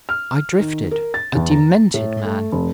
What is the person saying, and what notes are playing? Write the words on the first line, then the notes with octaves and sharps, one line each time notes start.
I drifted--a demented man.
F6
D#3
A#4
A6
E2
A#5
A2
A3
F1